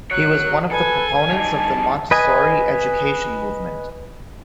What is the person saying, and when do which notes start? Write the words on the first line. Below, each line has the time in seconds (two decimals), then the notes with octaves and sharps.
He was one of the proponents of the Montessori education movement.
0.11 F#4 C#5 F#6
0.71 A4 B4 G#5
1.29 G2 D#4 A5
2.11 B4 D#5 G#5